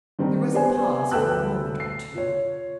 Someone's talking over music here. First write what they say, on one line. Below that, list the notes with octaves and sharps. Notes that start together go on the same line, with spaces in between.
There was a pause for a moment or two.
D#3 G3 C4 D4 D#4
B3 G4 C5 D5 G#5
D2 A4 B4 G5 E6 F#6
C7
F4 C#5